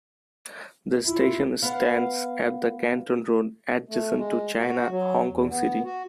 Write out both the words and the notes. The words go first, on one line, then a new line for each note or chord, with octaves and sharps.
The station stands at the Canton Road, adjacent to China Hong Kong City.
E4 F4
B3 F5 F#5
A3
G#3
F#4
F#3
E2
B3
F#4